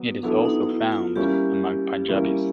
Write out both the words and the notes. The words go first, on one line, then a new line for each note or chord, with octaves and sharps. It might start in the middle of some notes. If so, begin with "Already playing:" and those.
It is also found among Punjabis.
Already playing: F#3 B3
F#3 B3 D4 E4 A4
D#4
E4
F4
G3 A#3 C#4 E4 G4
G3 A#3 C#4 E4